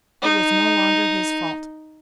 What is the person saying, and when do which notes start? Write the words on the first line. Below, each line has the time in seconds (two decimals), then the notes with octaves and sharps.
It was no longer his fault.
0.22 D#4